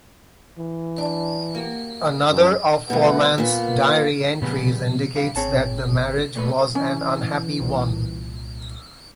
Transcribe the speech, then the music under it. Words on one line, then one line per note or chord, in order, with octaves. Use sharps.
Another of Forman's diary entries indicates that the marriage was an unhappy one.
E3
D4
A#3 F#4 G4
F#2
G2 B2 A3 B4 F#5
A#2 A#3 B3
A#2 C#3 F3 G3 B3 G#4
G3 F5
G#1 C4 G#4 C#5 A5
A#2 A3 B4
E3 C#4
C2 A#2